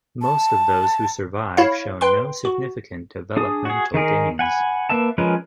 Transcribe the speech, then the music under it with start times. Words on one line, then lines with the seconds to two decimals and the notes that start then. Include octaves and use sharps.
Most of those who survive show no significant developmental gains.
0.22 A5
1.57 E4 C#5 F5
2.01 B4 G5 C6
2.45 F#4
3.37 D4 G#4 D#6
3.65 F#4 G#4
3.94 D#3 D#4 G#4 A#4
4.39 F#5 G#5 B5
4.89 A#3 B4 E5 A5
5.18 F3 G#3 C#4 A#4 B4